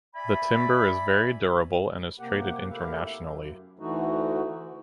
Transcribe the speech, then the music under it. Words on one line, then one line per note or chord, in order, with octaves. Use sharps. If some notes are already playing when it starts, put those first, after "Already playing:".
The timber is very durable and is traded internationally.
D5 E5 G#5 B5
C3 A#3 G4 F#5
A3 A#3 E4 G4 E5 F5
F#2
D2 D3 E3 A3 D#4 F#4